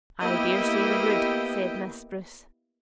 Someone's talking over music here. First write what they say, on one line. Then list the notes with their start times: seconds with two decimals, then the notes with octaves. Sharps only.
"I dare say they would," said Miss Spruce.
0.21 A#3 B3 E4 G4 D#5 G5